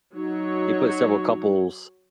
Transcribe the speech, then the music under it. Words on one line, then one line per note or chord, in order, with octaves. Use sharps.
they put several couples
F#3 D#4 C#5